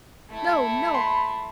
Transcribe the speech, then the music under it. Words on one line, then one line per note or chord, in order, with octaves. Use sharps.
No! no!
A3 E4
B5 C6